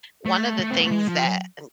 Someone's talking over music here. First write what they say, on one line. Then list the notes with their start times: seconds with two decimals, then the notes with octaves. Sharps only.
one of the things that n
0.26 A3
0.59 A3
0.70 C4
0.78 B3
0.84 A3
0.91 G#3
1.08 F3